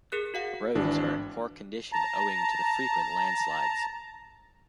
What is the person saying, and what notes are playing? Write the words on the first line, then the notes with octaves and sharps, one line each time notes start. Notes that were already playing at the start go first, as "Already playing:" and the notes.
Roads are in poor condition owing to the frequent landslides.
G#4 A#4 F#6
F#4 F5 F#5
G#1 E3 D4
A5 A#5